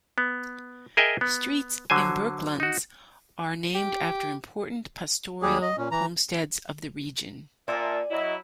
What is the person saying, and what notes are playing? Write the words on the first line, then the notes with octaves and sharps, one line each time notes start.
Streets in Bourkelands are named after 'Important pastoral homesteads of the region'.
B3
G#4 A#4 D#5 E5 G5 G#5
B3
D3 F#3 C5 G#5
D#4 F#4
G4
D#2 G3 G4 G#4
D#5
A#2 C#4
E3 A#5
A#2 D5 E5 G#5 A5
F#3 E4 D#5